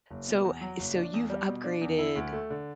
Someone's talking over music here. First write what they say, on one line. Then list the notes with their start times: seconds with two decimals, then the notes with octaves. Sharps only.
so so you've upgraded,
0.10 F#1
0.27 B2
0.44 E2
0.61 F#3
0.79 F#1
0.95 D4
1.14 E2
1.30 G3
1.47 B2
1.64 D4
1.81 E2
1.98 E4
2.16 D2
2.33 A3
2.50 D3